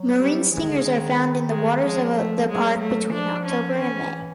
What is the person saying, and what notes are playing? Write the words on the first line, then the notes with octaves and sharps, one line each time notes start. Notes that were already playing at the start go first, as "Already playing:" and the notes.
Marine stingers are found in the waters of the park between October and May.
Already playing: F#3
G3
E3 G#3
D#3
D3
C#3
D#3
G#3
F3 G#3
A3
F#3 G#3
A3
E3
F3 D4
C#4
E3 C#4